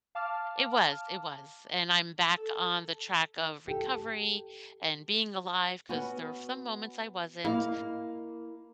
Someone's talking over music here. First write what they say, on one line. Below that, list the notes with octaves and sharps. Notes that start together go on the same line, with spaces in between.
It was, it was, and I'm back on the track of recovery and being alive 'cause there were some moments I wasn't,
F5 A5 D6 F6
A4
G4 A4
B3 C#4 F#4
A#3 E4 D#5 F5